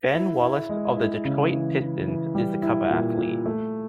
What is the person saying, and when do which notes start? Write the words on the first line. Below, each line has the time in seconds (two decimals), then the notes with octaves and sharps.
Ben Wallace of the Detroit Pistons is the cover athlete.
0.14 E4
0.42 E4
0.69 G#3
0.97 E4
1.25 C#3
1.53 E3
1.80 E3
2.07 E3
2.35 G3
2.63 E4
2.90 A#2
3.18 A#2
3.46 A3